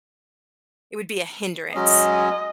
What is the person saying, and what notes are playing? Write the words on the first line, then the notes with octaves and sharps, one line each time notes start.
it would be a hindrance
F#3 G#3 C#4 D#5